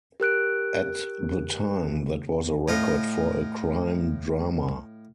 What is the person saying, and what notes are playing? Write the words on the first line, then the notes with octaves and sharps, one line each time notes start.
At the time that was a record for a crime drama.
G4 A#4 F#6 D7
A2 F4 D#5